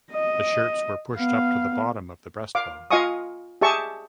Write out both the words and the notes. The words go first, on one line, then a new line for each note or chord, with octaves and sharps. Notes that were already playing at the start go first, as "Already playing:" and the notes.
The shirts were pushed up to the bottom of the breastbone.
D#5
B3 F5
F5 D6
F4 D#5 F5 G#5 C#6 D#6
G4 G#4 E5 A5 C#6